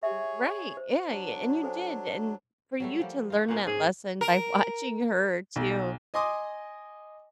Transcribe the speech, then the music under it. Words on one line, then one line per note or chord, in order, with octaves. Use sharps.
R right. Yeah, y and you did, and for you to learn that lesson by watching her too,
G4 G#4 C#5 E5
C5
F#3 D4
A4 C5 G#5
F#3 G3 A3
F3 G3 A#3
A3 D#4 F4
A#2 C#4 A#4 F#5
G#2 G#4
A#4
B1
D#5 G#5 C6 D6 D#6